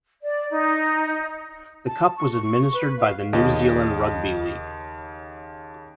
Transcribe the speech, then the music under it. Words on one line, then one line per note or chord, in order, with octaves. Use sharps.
The cup was administered by the New Zealand Rugby League.
D5
D#4
A5
C#6
B4
F5
D#2 C#3 D#5